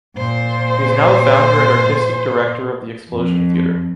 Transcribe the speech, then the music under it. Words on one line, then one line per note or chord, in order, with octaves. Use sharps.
He is now the founder and artistic director of the explosion theatre.
A#2 C5
F2